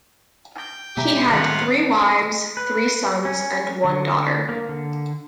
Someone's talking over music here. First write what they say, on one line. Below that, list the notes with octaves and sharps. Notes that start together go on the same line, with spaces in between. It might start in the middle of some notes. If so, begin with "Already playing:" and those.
He had three wives, three sons, and one daughter.
G5
B2 G#3 G4 E5 G#5 A#5
A2 D#3 G3 C4 F4 F#5
B4
C#4
D3
A#3
D3